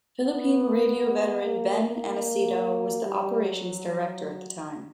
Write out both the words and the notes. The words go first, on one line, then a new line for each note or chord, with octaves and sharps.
Philippine radio veteran Ben Aniceto was the operations director at the time.
B3
A#3
A#3
G3
F#3